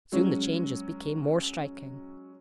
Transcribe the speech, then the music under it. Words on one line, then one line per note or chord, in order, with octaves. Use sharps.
Soon the changes became more striking.
F#3 G#3 C#4